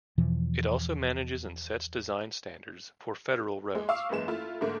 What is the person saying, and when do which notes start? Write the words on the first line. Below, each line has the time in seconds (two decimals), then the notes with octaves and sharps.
It also manages and sets design standards for federal roads.
0.18 E2 B2 E3 F3
3.75 G#3
3.89 F5 C#6 D6 E6
4.09 F#1 F#2 E3 G#3 E7
4.28 A3 E4 F4
4.61 G#2 D3 A3 A#3